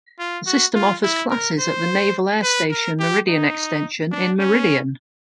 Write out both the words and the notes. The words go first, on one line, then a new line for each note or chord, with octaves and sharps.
The system offers classes at the Naval Air Station Meridian Extension in Meridian.
F4
F#4
F4
E4
A#4
C5
B4
A#4
G4
D#4
D4
C#4